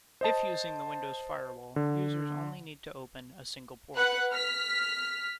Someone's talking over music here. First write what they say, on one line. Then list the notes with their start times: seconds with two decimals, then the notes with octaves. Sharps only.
If using the Windows firewall, users only need to open a single port.
0.21 C5 D#5 A5
1.76 D3
3.95 B4 F#5 F#6
4.31 F6 B6